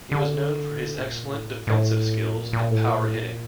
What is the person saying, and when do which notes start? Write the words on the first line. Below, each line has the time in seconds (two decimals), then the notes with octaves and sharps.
He was known for his excellent defensive skills and power hitting.
0.11 D3
0.98 A#2
1.32 A2
1.67 A2
2.36 A#2
2.53 A#2
2.71 A2
2.88 A#2
3.01 A2
3.15 A#2